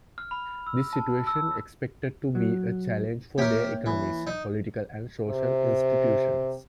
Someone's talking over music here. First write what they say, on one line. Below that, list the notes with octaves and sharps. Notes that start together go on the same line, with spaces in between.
This situation expected to be a challenge for their economies, political and social institutions.
F6
B5
E6
A5
E6
F#3
A#3 G4 A#4 C#5 E5
E3
D#4
C3